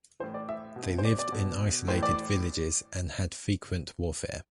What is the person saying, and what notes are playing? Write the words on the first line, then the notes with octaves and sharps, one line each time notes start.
They lived in isolated villages and had frequent warfare.
A2 E3 C5
D5
E5
B2
C5
D5
D5
B2
A2 C5
E3
D5